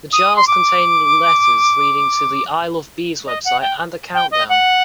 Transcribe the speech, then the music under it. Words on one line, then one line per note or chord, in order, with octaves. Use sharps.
The jars contained letters leading to the I Love Bees website and a countdown.
D#6
C6
D6
D#5
F#5
G5
G5
D#5
F#5